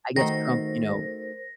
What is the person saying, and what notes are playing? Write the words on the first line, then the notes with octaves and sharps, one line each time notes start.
I guess Trump, you know,
D#3 A3 D#4 F#4 A#4 C5 A#6